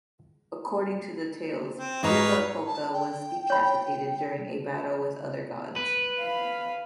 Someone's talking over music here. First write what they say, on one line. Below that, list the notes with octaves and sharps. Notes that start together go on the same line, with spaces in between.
According to the tales, Ulupoka was decapitated during a battle with other gods.
C4
G#2 B4 C#5 D#5 F5 A#5
A5
G5
C#5 B5
B4
F5 B5